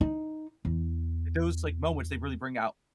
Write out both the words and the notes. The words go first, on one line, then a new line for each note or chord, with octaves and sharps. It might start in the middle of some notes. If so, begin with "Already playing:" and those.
those, like, moments, they really bring out,
D#4
E2